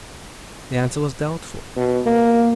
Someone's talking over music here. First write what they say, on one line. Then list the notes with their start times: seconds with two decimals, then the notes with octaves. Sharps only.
The answer was doubtful.
1.77 B2
2.06 A#3